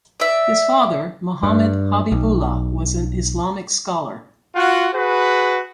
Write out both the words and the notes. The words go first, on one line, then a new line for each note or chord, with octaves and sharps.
His father Muhammad Habibullah was an Islamic scholar.
D5 E5
G2
B1
F4 F#4 F#5
F#4 G#4 B4